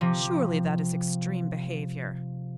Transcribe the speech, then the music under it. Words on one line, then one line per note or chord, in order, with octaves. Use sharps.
Surely that is extreme behaviour.'
C3 F3